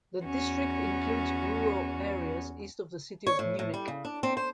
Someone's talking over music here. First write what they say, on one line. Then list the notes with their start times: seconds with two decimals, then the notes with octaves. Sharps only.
The district includes rural areas east of the city of Munich.
0.24 E2 C#4 F#4
3.27 C#5
3.39 A2
3.59 A2
3.74 G3
3.88 C#3
4.05 D4
4.23 C4
4.37 C5